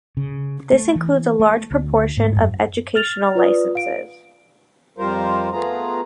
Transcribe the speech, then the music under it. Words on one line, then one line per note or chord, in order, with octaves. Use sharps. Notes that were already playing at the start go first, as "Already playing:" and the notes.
This includes a large proportion of educational licenses.
C#3
A3
E3
A3
D2
G#2
F#2
F6 A6 F7
F4 B4 D5 D#6
F5 D7
F2 G3 F4 A#4 C5
A3 B3 F4 G#4 A#5